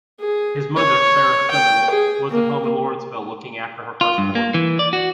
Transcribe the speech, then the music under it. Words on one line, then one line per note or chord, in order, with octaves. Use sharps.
His mother Sara Simmons was at home in Lawrenceville looking after her first-born.
G#4
C#5
G5
G#4
A#3
F4
G2
A#3
E3
D5
F#4